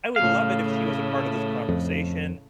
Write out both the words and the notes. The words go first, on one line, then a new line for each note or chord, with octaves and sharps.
I would love it if she was a part of this conversation,
A2 C#3 A3 F5
F2